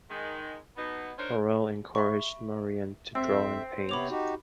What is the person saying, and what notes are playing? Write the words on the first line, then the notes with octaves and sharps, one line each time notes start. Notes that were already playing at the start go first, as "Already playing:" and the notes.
Marrel encouraged Merian to draw and paint.
D#3 G#3
B2 B3 D#4
D4 D#4 F4 A#4 C5 C#5
E5 B5 C#6
F2 C4 E5 E6
C3 B3 C#5 B5 D6 F7
D#4 F#4 G4